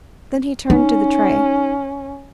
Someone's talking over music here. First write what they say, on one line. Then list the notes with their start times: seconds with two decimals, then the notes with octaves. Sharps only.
Then he turned to the tray.
0.70 C#4 D#4